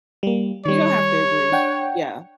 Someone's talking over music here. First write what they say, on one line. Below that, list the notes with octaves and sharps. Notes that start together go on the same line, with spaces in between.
You don't have to agree. Yeah.
G3 A#3
D#3 G3 C#5
D4 F#5 G5